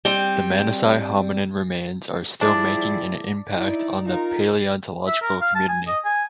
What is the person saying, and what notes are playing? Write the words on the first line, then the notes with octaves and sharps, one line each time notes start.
The Dmanisi hominin remains are still making an impact on the paleontological community.
G3 C4 G5
F3 G3 D4 E4 G#4
D#4 E4 D5
D#4 F4 A#4
E5
A#4
F5
A5
G#5
D#5
G#5